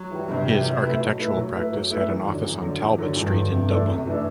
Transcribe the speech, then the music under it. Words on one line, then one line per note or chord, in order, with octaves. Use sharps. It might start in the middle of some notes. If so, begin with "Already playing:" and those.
His architectural practice had an office on Talbot Street in Dublin.
Already playing: F#3
E3 G3
G2 C3
E3 G3
F#3
A3 E4 B4
B2 F#3
A3 E4 B4
A2 F#3
A3 E4 B4
F#2 F#3
A3 E4 B4
E2
D3 F#3
E2
D3 F#3
E2
D3 F#3
E2 G2
D3 F#3
C3
E3 A3 D4 A4
F#2 C3
E3 A3 D4 A4